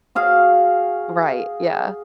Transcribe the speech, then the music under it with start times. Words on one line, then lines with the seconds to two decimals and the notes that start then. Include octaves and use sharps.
Right, yeah.
0.15 F#4 G#4 F5